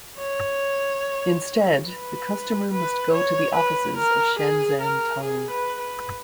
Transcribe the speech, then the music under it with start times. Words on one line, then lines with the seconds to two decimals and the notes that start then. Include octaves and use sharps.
Instead, the customer must go to the offices of Shenzhen Tong.
0.18 C#5
1.87 B4
2.71 B4
3.13 C#5
3.55 B4
3.97 A#4
4.39 G#4
4.81 A#4
5.22 G#4
5.50 B4
5.79 B4